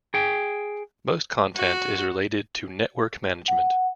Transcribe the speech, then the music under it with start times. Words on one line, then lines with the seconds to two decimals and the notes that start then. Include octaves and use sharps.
Most content is related to network management.
0.14 G#4 G5
1.55 F#4
3.48 F#5